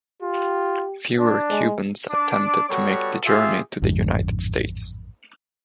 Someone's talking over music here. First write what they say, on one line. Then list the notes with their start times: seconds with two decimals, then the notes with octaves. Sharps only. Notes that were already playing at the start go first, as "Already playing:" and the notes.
Fewer Cubans attempted to make the journey to the United States.
0.22 F4 G4
1.19 D4
1.50 G#3
2.10 D4 D6
2.69 G3 B3 F#4 A4 C#5
3.26 F4 G4 G#4 E5
3.82 A1 F2 G#2 D3